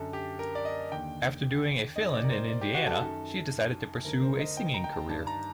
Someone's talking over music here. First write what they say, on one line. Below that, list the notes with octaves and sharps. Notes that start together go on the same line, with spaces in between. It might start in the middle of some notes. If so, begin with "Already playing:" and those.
After doing a fill-in in Indiana, she decided to pursue a singing career.
Already playing: F#2 D3 A4
G4
A#4
D5
D#5
D#2 D3 G5
F#2 D#3 D#5
D5
A#4
C5
D5
G4
F#4
A4
F#2 D#3 A4
D2 D3 A#4
A#4
C5
D#5
G5
A#5
G5
A5
G2 D#3 A5
A#5